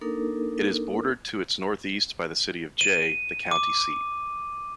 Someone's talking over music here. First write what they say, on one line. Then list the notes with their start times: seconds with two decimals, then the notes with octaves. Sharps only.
It is bordered to its northeast by the city of Jay, the county seat.
0.01 A#3 D4 D#4 A4 A#4
2.81 D#7
3.51 D6